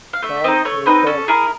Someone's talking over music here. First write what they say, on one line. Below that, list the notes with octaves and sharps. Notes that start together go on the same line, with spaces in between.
Carl Ritter.
F5
A3 E5
C4 D#4 D#5
A3 C#5
C4 D#4 B4
C#4 A4
E4 G#4 A#4